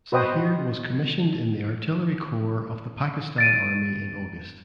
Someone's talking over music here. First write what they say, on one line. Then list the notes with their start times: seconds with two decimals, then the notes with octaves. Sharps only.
Zahir was commissioned in the Artillery Corps of the Pakistan Army in August.
0.12 F#4 B4 C5 D#5 G5 D#6
3.38 A6 D7 D#7